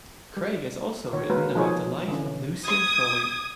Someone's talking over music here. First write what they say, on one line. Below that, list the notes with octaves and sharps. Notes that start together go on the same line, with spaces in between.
Greig has also written about the life of Lucian Freud.
G3
D#3 C#5
G#3 A#3 F#4 A#4 B4
F3 D#4 G#4 C5 C#5
D3 E3 C#4
D#6 G#6